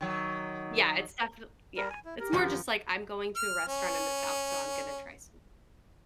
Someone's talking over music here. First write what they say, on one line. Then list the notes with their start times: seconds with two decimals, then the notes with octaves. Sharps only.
Yeah, it's definite yeah. It's more just like I'm going to a restaurant in the South, so I'm gonna try some
0.01 D#3 F#3
1.77 G3 A#4
1.90 G#5
2.05 E4
2.20 G4 A#4
2.33 F#2 D#3 F3
3.36 F6
3.68 C#4